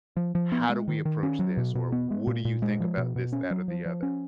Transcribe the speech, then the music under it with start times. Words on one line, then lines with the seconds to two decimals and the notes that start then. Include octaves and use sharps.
how do we approach this? Or what do you think about this, that, or the other?
0.17 F3
0.35 F3
0.52 B3
0.69 G#3
0.88 D#3
1.05 D#3
1.23 C#4
1.39 F#3
1.57 B2
1.75 B2
1.92 B3
2.11 G#3
2.27 A#2
2.45 A#2
2.62 G#3
2.80 F3
2.98 B2
3.16 B2
3.32 C#4
3.51 F#3
3.68 F3
3.86 F3
4.03 C#4